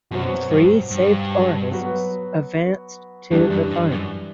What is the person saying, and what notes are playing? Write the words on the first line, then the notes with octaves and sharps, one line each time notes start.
Three saved artists advanced to the Final.
F#2 B2 F#3 C4 F#4
G2
G2
F#3 B3 F#4 B4
E2 E3 G3 D4 G4 D5
F#2
G2
F#2